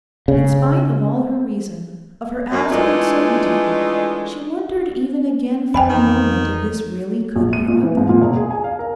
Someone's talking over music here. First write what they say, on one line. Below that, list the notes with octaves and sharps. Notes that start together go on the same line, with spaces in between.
In spite of all her reason, of her absolute certainty, she wondered even again for a moment if this really could be Arthur.
C#3
F#2
E3 G#3 A3 D4 D#4 F4
F2 E3 F#3 G5 G#5 B5
D#3
A#1
D#7
A#2
E3
G#2
A#2
E1
G#4
G#5
F5
A#4